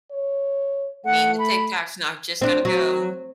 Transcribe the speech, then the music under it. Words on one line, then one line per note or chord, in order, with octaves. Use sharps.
mean the TikTok's not just gonna go.
C#5
A3 F#5
B5
C4 D4
F#3